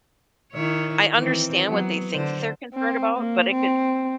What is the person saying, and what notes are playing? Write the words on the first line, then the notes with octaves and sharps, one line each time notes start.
I understand what they think that they're concerned about, but it could
D#3 E4 C#5
D#3 E3 C4
F#3 B3
D3 C5
C4
A#3
C4